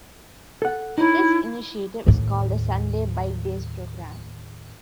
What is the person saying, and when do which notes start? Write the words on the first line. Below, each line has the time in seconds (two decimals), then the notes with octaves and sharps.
This initiative is called the Sunday Bikedays Program.
0.62 A4 F#5
0.98 D#4 E4 C#5
2.07 D#2 A2